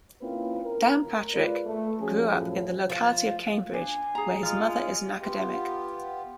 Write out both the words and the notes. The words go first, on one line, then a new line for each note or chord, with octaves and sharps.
Downpatrick grew up in the locality of Cambridge, where his mother is an academic.
A#3 C4 C#4 E4 F4 B4
A#4
G#3 F4 B4 D5
A3
F3 C#4 F#4 G#4
F#2 A2 F3
F3
D4 G#5
G#4 A#5
G#3 F4 F5
B3 F4 G4